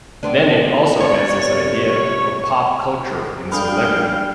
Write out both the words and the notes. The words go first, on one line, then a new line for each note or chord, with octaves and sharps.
Then it also has this idea of pop culture and celebrity.
B3 C4 D4
C3 C#5 D5
C#6
G3 D4 A4 F5 G5 B5